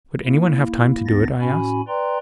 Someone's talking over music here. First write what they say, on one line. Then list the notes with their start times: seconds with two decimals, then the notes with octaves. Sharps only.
"Would anyone have time to do it?" I asked.
0.24 A#3 E4
1.06 D2 B3 D4 D#4 A6 A#6
1.40 A2 C#4 F#4 G#5 B5
1.88 B4 D5 G5 A#5 C6